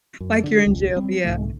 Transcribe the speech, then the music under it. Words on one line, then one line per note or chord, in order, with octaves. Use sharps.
Like you're in jail, yeah.
F#2
D3
E1 C#2
G3 C4
C2 G#2 D3 A3